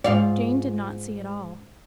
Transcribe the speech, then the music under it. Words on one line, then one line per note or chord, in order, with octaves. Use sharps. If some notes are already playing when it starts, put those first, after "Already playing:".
Jane did not see at all.
G#2 F4 D5